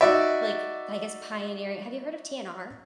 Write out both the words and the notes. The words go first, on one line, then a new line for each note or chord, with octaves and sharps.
like, I guess, pioneering Have you heard of TNR?
D#4 F#4 D5 E5